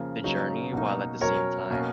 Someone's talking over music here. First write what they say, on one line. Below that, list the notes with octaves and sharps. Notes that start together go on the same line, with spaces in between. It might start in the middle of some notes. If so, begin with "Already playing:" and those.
the journey while at the same time,
Already playing: C#3 F3 A#3
C#3 F#3 A#3 D#4
B2 F#3 A#3 D#4
B2 F#3 C#4 A#4 C#5
B2 A#3 C#4